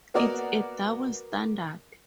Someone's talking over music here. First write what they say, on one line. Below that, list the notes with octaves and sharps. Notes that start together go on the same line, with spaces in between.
It's a double standard.
A#3 B3 F#4 A#4 D5 D#5